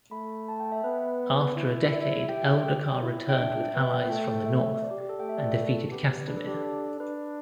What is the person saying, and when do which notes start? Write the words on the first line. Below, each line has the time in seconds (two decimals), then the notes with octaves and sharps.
After a decade Eldacar returned with allies from the North and defeated Castamir.
0.11 A3 B5
0.48 A5
0.60 G5
0.72 E5
0.84 B3 B4
1.56 E4
1.82 D5
1.93 E5
2.24 E5
2.28 G4 G5
3.01 E4
3.29 G5
3.37 D4 E5
3.74 B3 G5
3.82 E5
3.90 G5
4.10 A3 G5
4.46 E5
4.82 D5
4.91 G4
5.01 G4
5.09 A4
5.19 A3 G5
5.29 E5
5.37 D5
5.46 B4
5.54 A4
5.91 B3 G4
6.27 D4 B4
6.37 A4
6.47 G4
6.57 A4
6.99 D4 B4